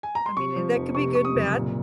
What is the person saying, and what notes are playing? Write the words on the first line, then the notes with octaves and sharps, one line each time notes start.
I mean, and that could be good and bad.
G#5
A#5
C6
C3 C#6
F3
F1
C3 C#6
C3 C#6
D#6
F#1
A#2